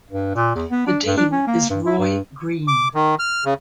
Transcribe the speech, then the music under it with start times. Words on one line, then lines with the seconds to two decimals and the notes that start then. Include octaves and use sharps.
The Dean is Roy Green.
0.10 G2
0.35 A#2
0.55 E2
0.70 B3
0.87 D4
1.06 G2
1.17 D4
1.32 C#4
1.47 A#3
1.70 G2
1.86 E4
1.99 G2
2.68 D6
2.94 D#3
3.19 F6
3.45 C#3